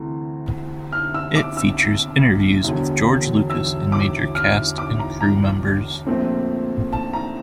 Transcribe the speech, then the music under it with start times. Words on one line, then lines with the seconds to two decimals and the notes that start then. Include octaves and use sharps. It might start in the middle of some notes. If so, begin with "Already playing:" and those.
It features interviews with George Lucas and major cast and crew members.
Already playing: D2 C3 E3 A3
0.92 F6
1.14 E6
1.35 D6
1.57 E6
2.65 E1 E2 D3
3.50 E6
3.92 D6
4.35 F6
4.78 D6
4.99 A#5
5.21 A#5
6.07 A#1 A#2 A3 C4
6.93 A5
7.13 A#5